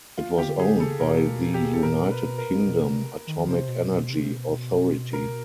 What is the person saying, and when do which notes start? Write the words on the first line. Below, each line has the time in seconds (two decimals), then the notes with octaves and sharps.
It was owned by the United Kingdom Atomic Energy Authority.
0.18 F4
0.37 D#3 G4
0.46 D3
0.59 G#4
0.72 C#3
0.80 A4
1.00 B2 A#4
1.54 G4
1.64 G#4
1.73 A4
1.83 A#2 A#4
2.04 B2
2.11 B4
2.24 B2
2.38 A#4
2.66 B2
2.87 C3
3.27 D#3
3.48 C3 C5
3.68 B2
3.90 B2
4.10 C3
4.31 B2
5.13 A#4